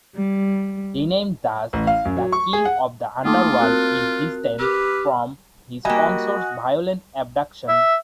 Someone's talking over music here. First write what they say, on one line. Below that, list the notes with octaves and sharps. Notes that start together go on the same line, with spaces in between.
Renamed thus, the king of the underworld is distanced from his consort's violent abduction.
G3
A1
F5
F#2
F#3
C#6
G#4
F#5
A3 A#3 D#4 F4 A5 D6 D#6
C4 F#4 A#4 F#6
G4 B4 E6 F6
G3 A#3 F#4 D#5 G#5
E5